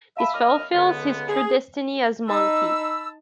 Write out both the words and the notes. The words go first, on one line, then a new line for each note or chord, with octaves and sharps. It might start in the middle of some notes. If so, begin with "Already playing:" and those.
This fulfils his true destiny as Monkey.
E5 F5 A5 B5
F#2 D#5 D6 F6
C#2 D3 B3
G#4
D#4 A5 B5 E6